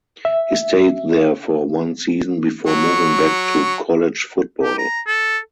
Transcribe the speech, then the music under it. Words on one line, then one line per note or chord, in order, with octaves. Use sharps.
He stayed there for one season before moving back to college football.
E5
F#3 C#6
G4
A#5
A4